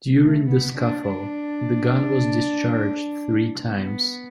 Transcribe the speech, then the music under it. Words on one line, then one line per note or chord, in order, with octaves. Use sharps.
During the scuffle, the gun was discharged three times.
A3
B3
D4
D4
B3